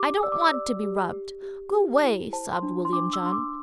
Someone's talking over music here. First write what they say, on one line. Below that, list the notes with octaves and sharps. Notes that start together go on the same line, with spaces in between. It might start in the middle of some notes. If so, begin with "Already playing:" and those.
"I don't want to be rubbed--g'way," sobbed William John.
Already playing: G4 D6
D5 E6
D6
E6
D5
G4
G4
G4
G4
E4
C5 A5
C6
D4
C6
D4 D6
E6
D4 C6
D6